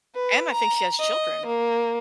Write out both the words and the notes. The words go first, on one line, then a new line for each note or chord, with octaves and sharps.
And I think she has children.
B4
A#5
D#5
A#3